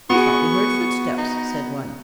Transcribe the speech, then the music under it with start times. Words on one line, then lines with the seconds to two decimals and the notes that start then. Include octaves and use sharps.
"We thought we heard footsteps," said one.
0.10 B3 F#4 G#4 C#6
1.18 D#4